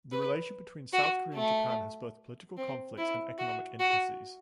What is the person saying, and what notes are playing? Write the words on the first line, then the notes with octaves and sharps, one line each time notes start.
The relation between South Korea and Japan has both political conflicts and economic intimacies.
B4
F#4
A3
C4
E4
F#4
F#4